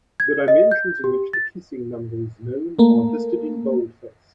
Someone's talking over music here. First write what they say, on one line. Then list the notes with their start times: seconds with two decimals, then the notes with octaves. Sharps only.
The dimensions in which the kissing number is known are listed in boldface.
0.20 G#6
0.48 D#5
0.71 G6
1.04 G4
1.33 A6
2.79 A3 A#3